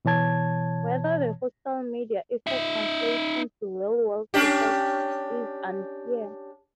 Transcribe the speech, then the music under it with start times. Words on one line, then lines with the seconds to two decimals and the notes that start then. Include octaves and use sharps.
Whether the hostile media effect translates into real-world effects is unclear.
0.05 B2 E3 C#5 A5 G#6
2.47 D#4 E5
4.34 C#4 D4 G4